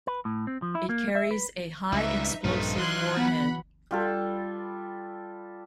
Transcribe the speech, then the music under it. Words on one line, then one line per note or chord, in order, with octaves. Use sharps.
It carries a high explosive warhead.
B4
A2
C4
F3
E4
A#3
E5
B4
C#2 G2 E3 D#4 E5
A#1 G2 A3 C4 D#4 F4 B4
E3 F#3 C6 F#6 G#6
B3 F#5 B5
G3 F4 A4